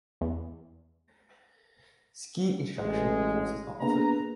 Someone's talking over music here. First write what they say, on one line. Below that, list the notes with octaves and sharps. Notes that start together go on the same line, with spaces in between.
Ski instruction courses are offered.
E2
A1 G#3
A#3 B3 D4 G#4 B4 A#5